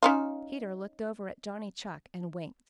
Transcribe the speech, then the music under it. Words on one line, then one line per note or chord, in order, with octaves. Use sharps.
Peter looked over at Johnny Chuck and winked.
C#4 D#4 F4